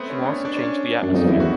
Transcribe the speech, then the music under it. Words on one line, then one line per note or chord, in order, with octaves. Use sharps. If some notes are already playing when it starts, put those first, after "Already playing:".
She wants to change the atmosphere.
Already playing: A3 B3 C4
C#4
D4
C#4
D4
C#4
F#2 D4
F2 D#4
E2 E4
F#4